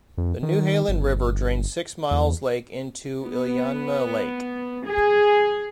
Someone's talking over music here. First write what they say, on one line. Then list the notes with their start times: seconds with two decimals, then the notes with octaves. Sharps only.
The Newhalen River drains Six Mile Lake into Iliamna Lake.
0.18 F2
0.43 D#3
0.88 G1
2.11 E2
3.24 B3
4.86 G#4